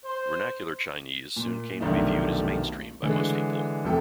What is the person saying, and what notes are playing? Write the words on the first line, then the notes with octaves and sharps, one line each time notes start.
Vernacular Chinese soon came to be viewed as mainstream by most people.
C5
A#2
F1 B1 D#3 A3 D4 D#4
D3 E3 G#3
F1 C3 G4 A4 G5